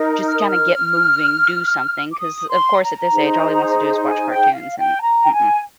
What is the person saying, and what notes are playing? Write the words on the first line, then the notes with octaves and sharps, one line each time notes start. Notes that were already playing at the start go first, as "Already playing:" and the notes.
just kinda get moving, do something, 'cause of course at this age all he wants to do is watch cartoons and, mm-mm.
Already playing: D#4 A#4
F6
D#6
F6
D6
D#6
C6
A#5
D#4 G#4 C5
G#5
G5
F5
G5
A#5
G5
G#5